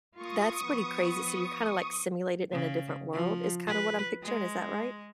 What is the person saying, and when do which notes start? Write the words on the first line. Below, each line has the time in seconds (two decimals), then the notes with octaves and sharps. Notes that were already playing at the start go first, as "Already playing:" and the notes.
that's pretty crazy. So you're kinda, like, simulated in a different world is kinda what I'm picturing, is that right?
0.16 A#3 F4 C#6 D#6
0.65 F3 B3
2.52 C#3
3.13 F3
3.67 B4
4.23 G#3